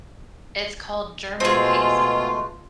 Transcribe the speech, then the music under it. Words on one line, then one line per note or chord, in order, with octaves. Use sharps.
It's called German pizza.
B2 G#3 A3 C4 F4 G#4